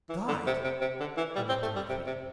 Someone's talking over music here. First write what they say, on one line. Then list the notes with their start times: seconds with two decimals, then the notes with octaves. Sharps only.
"Died!..." I leaped to my feet.
0.10 E3
0.28 D3
0.46 C3
0.64 C3
0.81 C3
1.00 D3
1.17 E3
1.36 G3
1.49 C4
1.62 A3
1.76 G3
1.89 C3
2.07 C3